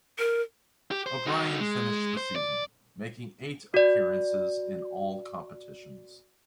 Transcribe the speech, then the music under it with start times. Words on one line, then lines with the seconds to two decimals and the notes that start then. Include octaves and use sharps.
O'Brien finished the season, making eight appearance in all competitions.
0.19 A#4
0.91 G4
1.06 C5
1.26 D#4 F#4
1.60 G#3
2.17 C5
2.36 D5
3.74 F#4 D5